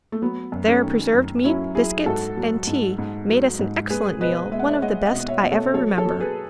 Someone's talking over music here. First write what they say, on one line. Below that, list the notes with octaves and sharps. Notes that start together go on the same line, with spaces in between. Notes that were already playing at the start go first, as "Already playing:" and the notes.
There preserved meat, biscuit, and tea made us an excellent meal, one of the best I ever remember.
A3
F#3 B3
F#2
A3 C#4
D#3
F#2
F#3 C#4 E4
F#3 E4 G#4
G#2 F#4 A4
F#3
G#2
G#2
F#3
G#2
G#3 G#4 B4
B2 B4 D#5
G#3 E5
F#5
C#5 E5
G#3 D#5 F#5
D#5 F#5
B2
C#5 E5
B2
A4 C#5
F#3 A4 C#5
A4 C#5
F#3
G#4 B4